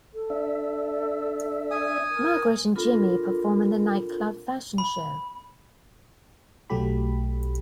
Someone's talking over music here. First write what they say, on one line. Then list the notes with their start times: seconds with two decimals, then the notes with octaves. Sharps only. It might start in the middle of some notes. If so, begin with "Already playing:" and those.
Margaret and Jimmy perform in the nightclub fashion show.
0.14 A4
0.30 D4 E5
1.71 G#5 D#6
2.11 A#4
2.75 C4 D4 F4 A4 A#4 B5
4.78 B5
6.70 B1 F#3 A3 G4 B5